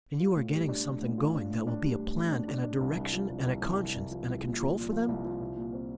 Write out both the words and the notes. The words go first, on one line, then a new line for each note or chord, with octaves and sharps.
And you are getting something going that will be a plan and a direction and a conscience and a control for them?
F4
A2
G3
D4
A2
A2
F4
D4
A2
D4
G3
A2
A2
D4
D4
D4
C2
C2
F3
C2
C2
C2
C2
C2
F3
C2
A#2
F3
A#2
F3
C2
F3
C2
A#2
C4